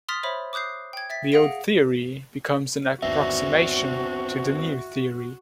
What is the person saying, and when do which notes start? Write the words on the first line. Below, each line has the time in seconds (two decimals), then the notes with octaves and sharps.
The old theory becomes an approximation to the new theory.
0.09 C6 D#6 F6 A6 B6 F7
0.23 C5 C#5 E5 B5
0.53 D6 D#6 F#6 G6 C7
0.93 G5 G#6
1.10 E5 A6 B6
1.32 G#4 F5 F#5 A#6 D7
3.02 G1 D#2 B3 C4 D4 F#4 E5